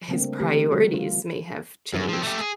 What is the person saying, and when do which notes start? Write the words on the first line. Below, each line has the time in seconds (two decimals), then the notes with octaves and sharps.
his priorities may have changed.
0.08 C#3 G3 A3 A#3 C4 D4
0.39 D3 E3 A3 G4 A#4
0.72 G3 F#4
0.94 F4 C5
1.94 F#2
2.09 F3 C4
2.23 A3 G4
2.40 G#4